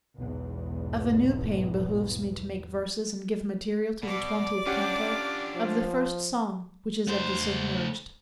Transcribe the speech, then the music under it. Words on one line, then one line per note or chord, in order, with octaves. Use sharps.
Of a new pain behoves me to make verses And give material to the twentieth canto Of the first song, which is of the submerged.
B1 E2 G#2
B2 D5 D6
C#4 D4 F4 G4 F#5
F3
A3 C5